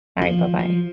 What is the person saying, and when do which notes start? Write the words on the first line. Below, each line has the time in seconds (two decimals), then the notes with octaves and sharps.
Alright, bye-bye.
0.22 F3
0.59 F3